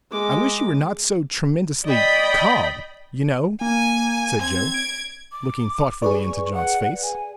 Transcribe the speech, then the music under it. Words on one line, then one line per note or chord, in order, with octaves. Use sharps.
"I wish you were not so tremendously calm, you know," said Joe, looking thoughtfully into John's face.
G#3 D6
D5 D#5 G5 B5
A#3 G#5
C4 G#6
D7
D6
G#4 B4 D5 C#6
F#5
G#5